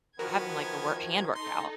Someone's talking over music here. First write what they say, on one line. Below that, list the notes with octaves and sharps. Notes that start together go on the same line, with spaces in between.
having, like, a wor hand workout.
D#3 F3 B3 F#4 A#4 G#6
D#4 A4 C6